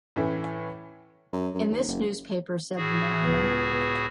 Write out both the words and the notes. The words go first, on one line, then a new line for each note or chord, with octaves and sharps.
"In this newspaper," said the mariner.
A2 E3 A3 C#4
F#2
F#2
D#2
F#1
A2 F#4 G#4
C#2 B3